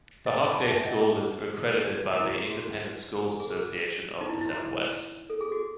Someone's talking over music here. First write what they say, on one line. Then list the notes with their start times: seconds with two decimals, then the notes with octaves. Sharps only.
The Hockaday School is accredited by the Independent Schools Association of the Southwest.
0.26 D#5 F#5
0.48 G#5 B5
0.60 F#5 A5
0.71 E5 G#5
0.86 D#5 F#5
1.01 G#4
2.05 F#4
2.20 E4
2.29 F#4
2.35 G#4
2.50 F#4
3.40 G#4
4.21 D#4
4.29 E4
4.41 E4
4.51 F#4
5.30 A4
5.41 G#4
5.52 F#4